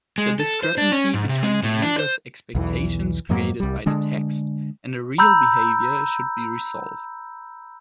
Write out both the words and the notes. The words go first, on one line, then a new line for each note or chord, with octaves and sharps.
The discrepancy between reader’s expectations created by the text and the real behaviour should be resolved.
G#3
A4
C5
D4
C#4
G#2
C3
G#3
A2
D4
C5
B1 E2 E3
F2 G#2 F#3 A#3
C2 G3
D3 G#3 D4
A#5 B5 E6 G6